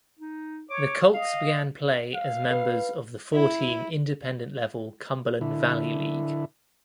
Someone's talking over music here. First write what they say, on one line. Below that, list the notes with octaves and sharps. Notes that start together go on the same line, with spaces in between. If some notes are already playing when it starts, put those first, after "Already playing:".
The Colts began play as members of the four–team Independent level Cumberland Valley League.
D#4
C#5 D6
D#5 F5
F5
B4
E4
D3 E4